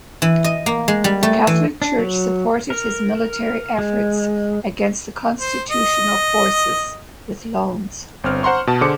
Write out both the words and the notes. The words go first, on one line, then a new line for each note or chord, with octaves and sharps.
The Catholic Church supported his military efforts, against the constitutional forces, with loans.
E3
D#5
A#3
G#3
G3
A3
E3
D4
F#3
A#4
G#3
C5
D#5
G1 C4 F6
C5 F#5 A#5 C6 C#6
B2 A5
D3 G#4 C5 D6 C#7